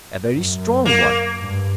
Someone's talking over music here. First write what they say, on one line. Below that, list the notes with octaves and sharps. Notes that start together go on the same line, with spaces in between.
A very strong one.
F#2
A#3
G2